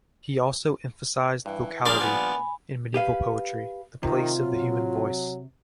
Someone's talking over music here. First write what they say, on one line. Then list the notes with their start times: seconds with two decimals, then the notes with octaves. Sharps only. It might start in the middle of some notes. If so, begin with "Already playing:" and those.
He also emphasised "vocality" in medieval poetry, the place of the human voice.
1.46 G2 E3
1.86 A#2 F3 G3 D4 G#4 A#4 F5
2.01 B3 G#5 B5
2.94 G4 B4 F5
4.03 C3 D#3 F4
4.39 F#3